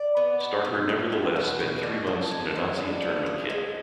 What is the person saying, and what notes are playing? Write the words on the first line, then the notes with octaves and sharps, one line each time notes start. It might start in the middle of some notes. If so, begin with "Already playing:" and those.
Starker nevertheless spent three months in a Nazi internment camp.
Already playing: D5
B3
B2
B2
G#3
B3
B2
B2
D4
F3
G#3
B3
D4
F3
G#4
G#3